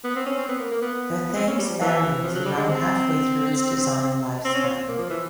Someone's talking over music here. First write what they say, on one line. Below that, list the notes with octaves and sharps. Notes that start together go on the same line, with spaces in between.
The Thames Barrier is around halfway through its designed lifespan.
B3
C4
C#4
C4
B3
A#3
A#3
B3
C4
C#4
G3
F3
E3
F3
F#3
G3
G#3
C4
C4
C#4
C4
A#3
F3
E3